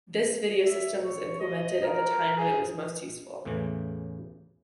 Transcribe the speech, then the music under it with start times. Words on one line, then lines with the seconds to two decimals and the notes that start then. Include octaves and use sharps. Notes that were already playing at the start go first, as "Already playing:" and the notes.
This video system was implemented at the time when it was most useful.
0.66 E5
1.04 C#5
1.40 D#5
1.84 A#4
2.37 G#4
3.45 E2 A2 C#3 E3